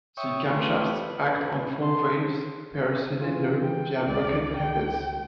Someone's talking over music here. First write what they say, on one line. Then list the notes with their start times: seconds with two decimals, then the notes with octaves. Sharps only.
The camshafts act on four valves per cylinder via bucket tappets.
0.17 C#5 E5 G5 C#6 D#6
0.49 A3 F4 G4 B4 C#5
0.92 B4
1.82 C5 A5 C6
3.21 C#3 E3 F4
3.60 G5
4.07 C#2 D5
4.57 G5